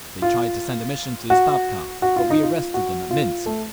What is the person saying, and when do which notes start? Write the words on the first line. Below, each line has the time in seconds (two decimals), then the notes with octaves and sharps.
They tried to send a mission to the Stavka, but we arrested them at Minsk....
0.22 F4
1.30 F#4
2.02 F#4
2.16 F4
2.30 D#4
2.43 F4
2.74 F#4
3.11 F4
3.46 A3